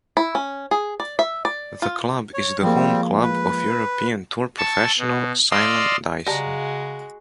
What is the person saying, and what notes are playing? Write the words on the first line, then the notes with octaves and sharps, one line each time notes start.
The club is the 'home club' of European Tour professional Simon Dyson.
E4
C#4
G#4
D5
E5
D5
F4
C#5
F3 G3 G#3 A#3 C4
B4
A5 C#6 E6
B2
D5 D#5 F5 C6 E6
C#3 G3 G#3 F#4 A5 A#5